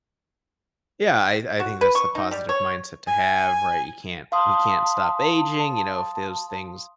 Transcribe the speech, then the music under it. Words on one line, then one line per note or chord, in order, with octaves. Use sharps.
yeah, I I think that's the positive mindset to have, right? You can't you can't stop aging. You know if those things
F#4
B4
C#6
D#4
G3
C#5
G#5
F5 A5 C6 D#6